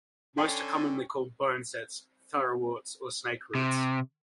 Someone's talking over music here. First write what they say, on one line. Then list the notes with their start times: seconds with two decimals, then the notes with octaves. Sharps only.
Most are commonly called bonesets, thoroughworts or snakeroots.
0.38 D3 C#4 A4 G5 G#5 C6 B6
3.55 C3